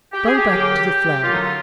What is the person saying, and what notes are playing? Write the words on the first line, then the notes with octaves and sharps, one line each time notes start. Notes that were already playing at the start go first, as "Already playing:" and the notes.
Go back to the flounder.
G4
G#4
G4
F#2 D3 F#3 A#3 G4
F#2 D3 F#3 A3 F4
D#4
F4